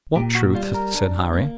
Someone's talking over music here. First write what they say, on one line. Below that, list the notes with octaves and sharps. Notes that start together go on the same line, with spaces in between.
"What truth?" said Harry.
A#2 G4
F#4
G3 F4
A#4
D4
A#3